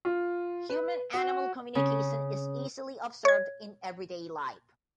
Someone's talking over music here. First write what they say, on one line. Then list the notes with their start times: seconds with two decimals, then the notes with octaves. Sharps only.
Human-animal communication is easily observed in everyday life.
0.05 F4
0.69 B4
1.14 F#4
1.75 C#3 C#4
3.25 C#5 G#6